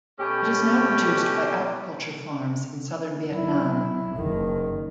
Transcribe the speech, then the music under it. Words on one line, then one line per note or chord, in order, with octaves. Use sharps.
It is now produced by aquaculture farms in southern Vietnam.
B2 A3 C#4 G4
F#3 E4
F#1 D#3